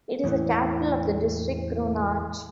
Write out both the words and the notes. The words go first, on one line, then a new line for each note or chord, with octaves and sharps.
It is the capital of the district Kronach.
E2 A2 D#3 E3